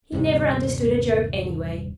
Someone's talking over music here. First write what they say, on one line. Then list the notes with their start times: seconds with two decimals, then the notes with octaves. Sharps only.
He never understood a joke anyway.
0.12 D#1 G2 C3 G3